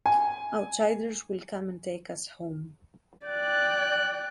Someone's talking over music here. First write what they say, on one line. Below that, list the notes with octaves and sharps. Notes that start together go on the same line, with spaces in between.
Outsiders will come and take us home.
G#5
D5 G5 F#6